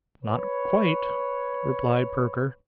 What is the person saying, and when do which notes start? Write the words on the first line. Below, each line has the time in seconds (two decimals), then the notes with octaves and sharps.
'Not quite,' replied Perker.
0.25 B4 C#5